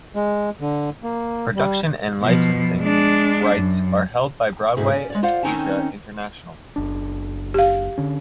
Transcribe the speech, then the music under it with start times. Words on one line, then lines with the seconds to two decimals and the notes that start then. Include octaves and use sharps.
Production and licensing rights are held by Broadway Asia International.
0.15 G#3
0.61 D3
1.03 A#3
1.56 G3
2.22 B2 F3
2.81 G#3 D4
3.55 F#2
4.77 D2 G#2 B2 E4 G#4
4.91 C#4 D5
5.10 G#3 C#5 D5
5.23 F4 C5 D5 F5 F#5
5.43 D#3 C4 C#4 D#4 G#5 A5
6.76 F#1 D4
7.54 G4 F5
7.98 D3 C#4